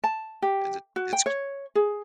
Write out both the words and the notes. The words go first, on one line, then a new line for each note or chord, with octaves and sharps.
Is it it's
A5
G4
F#4
G5
C#5
G#4